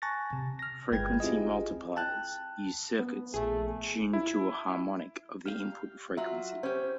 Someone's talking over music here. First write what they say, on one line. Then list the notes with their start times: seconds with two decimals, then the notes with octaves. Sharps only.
Frequency multipliers use circuits tuned to a harmonic of the input frequency.
0.02 G#5 A5 C#6 F#6 A6 A#6
0.33 C3
0.59 F6 A#6
0.92 G1 G#3 B4 G5 G#6
1.20 C4 E4 F4 G4 G#4 D#5
1.96 G5 A5 F#6
3.00 B3
3.34 A#1 A3 G#4
4.13 E4
5.46 G4 F5 F6
6.17 F#3 F4 F#4 E5
6.63 C#4 G4 C5